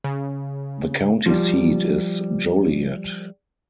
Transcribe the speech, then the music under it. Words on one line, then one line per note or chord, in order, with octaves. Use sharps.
The county seat is Joliet.
C#3
F3 G3